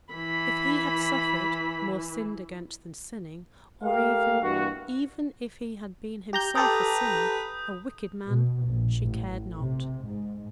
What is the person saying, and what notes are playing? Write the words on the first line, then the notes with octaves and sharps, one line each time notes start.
If he had suffered, more sinned against than sinning, or even, even, if he had been himself a sinner, a wicked man, she cared not.
E3 B5 B6
A3 G4 A#4 F5
G2 E3 A#3 F#4
G4 A#5 G6
G4 A4 B4 G5 A#5 D#6 G6
B2
A#1
A1
C3
G#2